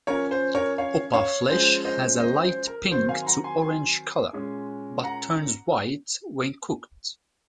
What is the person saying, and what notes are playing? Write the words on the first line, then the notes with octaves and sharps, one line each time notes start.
Opah flesh has a light-pink to orange color, but turns white when cooked.
F3 A#3 C#4 A#4 C#5
C5
A#4 C#5
C#5 F5
C#5 F5
F3 G#3 C#4 C5
C5 D#5
C5 D#5
C5
A#4
D#3 F#3 C4 C5
F5 G#5
C6
F#5 A#5
G#5 C6
G#5 C6
A#2 G#3 C#4
F#5 A#5